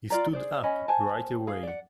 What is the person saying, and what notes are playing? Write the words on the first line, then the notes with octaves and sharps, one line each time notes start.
He stood up right away.
F4 D5 A#5
G#4 C5 D5
C#4 D#5 G#5 B5
C5 G#5 A5
G#4 F5
D5 F#5